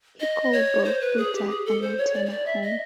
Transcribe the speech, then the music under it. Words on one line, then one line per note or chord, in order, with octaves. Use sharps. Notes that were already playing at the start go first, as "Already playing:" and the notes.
He called both Utah and Montana home.
D#5
C#5
C5
B4
G#4
G4
G#4
A4
C5
C#5
D5
C#5
D5
E5
D#5